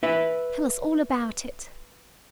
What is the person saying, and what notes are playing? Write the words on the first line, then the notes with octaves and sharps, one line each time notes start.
Tell us all about it.'
B4 E5